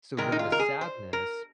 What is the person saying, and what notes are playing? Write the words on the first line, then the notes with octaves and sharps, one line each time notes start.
so then with sadness,
C3 D#3 G#3 A#4
D#4
F4
A#4
G#4
C5
A#4